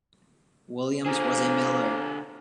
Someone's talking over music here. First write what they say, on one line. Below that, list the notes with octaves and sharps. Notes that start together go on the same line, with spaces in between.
Williams was a miller.
D3 F3 A#3 G#4